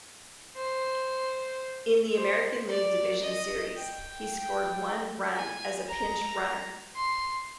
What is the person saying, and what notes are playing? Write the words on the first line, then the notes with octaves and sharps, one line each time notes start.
In the American League Division Series, he scored one run as a pinch-runner.
C5
C5
D5
D#5
G5
G#5
A#5
C6